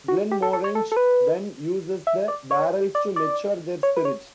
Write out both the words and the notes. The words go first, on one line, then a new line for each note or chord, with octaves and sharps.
Glenmorangie then uses the barrels to mature their spirit.
F#4
G4
A4
A4
C#5
A4
A4
B4
E5
D5
C#5
D5
D5
C#5
B4
C#5